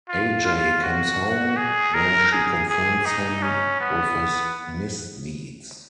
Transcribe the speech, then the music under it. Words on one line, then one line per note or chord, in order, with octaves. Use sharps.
Ajay comes home, where she confronts him with his misdeeds.
F4
F4
F#4
G#4
A#4
G#4
G#4
D#4
C#4
B3